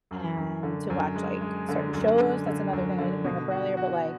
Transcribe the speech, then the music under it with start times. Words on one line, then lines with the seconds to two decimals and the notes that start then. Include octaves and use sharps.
and to watch like certain shows, that's another thing I didn't bring up earlier, but, like,
0.11 F#2
0.37 F#2
0.63 D3
0.90 F#2
1.16 G#3
1.41 G#3
1.69 D3
1.93 F#2
2.20 D3
2.46 D3
2.73 F#2
2.98 D3
3.25 B2
3.51 F#4
3.77 F#4